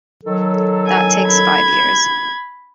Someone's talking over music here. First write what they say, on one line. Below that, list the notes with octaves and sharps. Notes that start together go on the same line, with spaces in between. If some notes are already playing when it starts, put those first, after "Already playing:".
That takes five years.
D#3 F#3 A4
G#5
B5 G#6